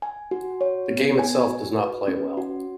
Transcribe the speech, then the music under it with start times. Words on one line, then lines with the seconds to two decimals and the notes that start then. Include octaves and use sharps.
The game itself does not play well.
0.02 G#5
0.31 F#4
0.61 C#5
0.90 B3
1.19 G#5
1.48 F#4
1.78 B4
2.08 C#4
2.37 F#4